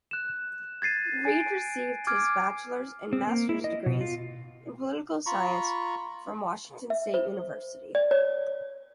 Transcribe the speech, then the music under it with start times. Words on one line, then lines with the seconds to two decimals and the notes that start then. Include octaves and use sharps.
Reed received his bachelor's and master's degrees in political science from Washington State University.
0.11 F#6 E7
0.82 G#6 A6 C7 D#7
1.25 G#5 D7
2.07 D6 F6 G#6 D7
3.13 C4
3.27 A#3
3.49 E4
3.64 D#5
3.86 B2
4.01 F4
5.26 F4 A#5 B5 C#6
6.90 E5
7.14 C5
7.95 D5
8.11 C#5